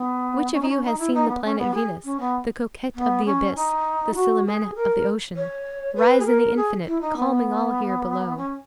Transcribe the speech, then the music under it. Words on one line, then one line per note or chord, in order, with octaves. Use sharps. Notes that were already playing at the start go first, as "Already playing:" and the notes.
Which of you has seen the planet Venus, the coquette of the abyss, the Celimene of the ocean, rise in the infinite, calming all here below?
Already playing: B3
C#4
D#4
C#4
D#4
E4
D#4
B3
C#4
B3
G#4
C#4
B3
B3
C#4
D#4
F#4
G#4
A#4
C#5
B4
G#4
A#4
G#4
E4
D#4
B3
C#4